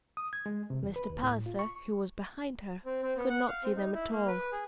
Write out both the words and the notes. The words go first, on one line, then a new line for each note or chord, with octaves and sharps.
Mr. Palliser, who was behind her, could not see them at all.
D#6
G#6
G#3
C3
E2
B4
D#2
A2
F4
C#6
C4
C4
B3
F#5
F5
C4
D#4
E4
A#3
B4
G#4